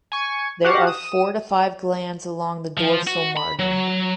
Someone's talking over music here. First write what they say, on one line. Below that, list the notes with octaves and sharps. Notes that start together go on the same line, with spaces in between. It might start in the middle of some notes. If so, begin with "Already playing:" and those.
There are four to five glands along the dorsal margin.
G#5 C#6
F#4 G4 F5 F#5
D#6 E7
F3
F#4
B5
F#3